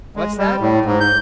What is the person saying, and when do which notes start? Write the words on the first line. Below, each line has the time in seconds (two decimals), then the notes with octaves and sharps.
"What's that?"
0.16 G#3
0.38 G3
0.60 A2
0.85 G#2
1.00 G6